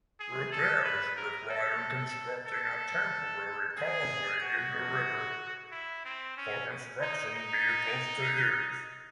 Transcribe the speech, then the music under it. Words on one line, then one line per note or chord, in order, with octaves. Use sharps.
Repairs required constructing a temporary causeway in the river for construction vehicles to use.
G#4
A4
B4
A#4
A4
A4
G#4
F#4
E4
C4
C#4
D#4
D#4